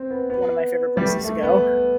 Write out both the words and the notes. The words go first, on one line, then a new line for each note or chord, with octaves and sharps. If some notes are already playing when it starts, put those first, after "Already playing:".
one of my favorite places to go.
Already playing: C4
B3
B3
G3
A3
A3
B3